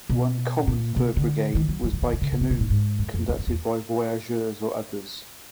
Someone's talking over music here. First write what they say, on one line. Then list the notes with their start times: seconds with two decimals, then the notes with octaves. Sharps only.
One common fur brigade was by canoe, conducted by voyageurs or others.
0.09 B2
0.67 A#2
0.96 B2
1.17 D3
1.55 D#3
1.69 F#3
1.83 F3
1.93 E3
2.02 D#3
2.13 D#3
2.21 D3
2.32 C#3
2.41 C3
2.50 B2
2.60 A#2
2.70 G#2
2.99 F#2
3.14 F2
3.29 E2
3.38 F2
3.47 E2